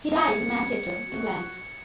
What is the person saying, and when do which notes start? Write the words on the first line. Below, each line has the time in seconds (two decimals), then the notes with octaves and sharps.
He died in Manchester, England.
0.19 G#6 C#7
1.07 F#4